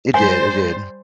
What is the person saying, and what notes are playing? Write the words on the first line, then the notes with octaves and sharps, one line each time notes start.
It did. It did.
G3 C5 G#5